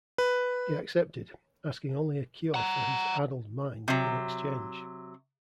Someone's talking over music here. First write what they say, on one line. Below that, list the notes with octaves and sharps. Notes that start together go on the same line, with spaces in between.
He accepted, asking only a cure for his addled mind in exchange.
B4
F#5 A#5
C3 F#3